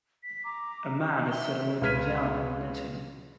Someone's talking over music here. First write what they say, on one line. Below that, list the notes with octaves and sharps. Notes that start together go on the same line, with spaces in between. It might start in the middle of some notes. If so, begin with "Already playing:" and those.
A man is sitting looking down and knitting.
B6
A#5 D6
D#4
E5 G7
C#2 B4 F6 G#6 B6 D#7